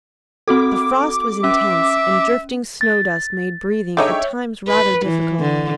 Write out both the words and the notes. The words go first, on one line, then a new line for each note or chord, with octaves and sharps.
The frost was intense, and drifting snow dust made breathing at times rather difficult.
C4 F#4 A4 D6
C#4 E5
A6
D3 G#3 D#4 C#5 E5 G5
B4
E3
D3